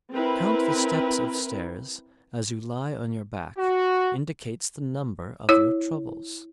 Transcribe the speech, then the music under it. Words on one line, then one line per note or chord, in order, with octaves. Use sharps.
To count the steps of stairs, as you lie on your back, indicates the number of your troubles.
C4 E4 A#4 B4
F#4
E4 C#5 E6